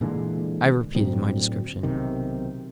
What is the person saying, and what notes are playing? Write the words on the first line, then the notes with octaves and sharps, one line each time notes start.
I repeated my description.
A#2 D3 E3 G#3
D2 A2 F#3 C4
B1 C3 D#3